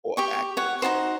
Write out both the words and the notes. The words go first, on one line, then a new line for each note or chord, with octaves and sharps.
or actors,
G4 G5 C#6
C#5 F#5
D#4 F4 F#4 C5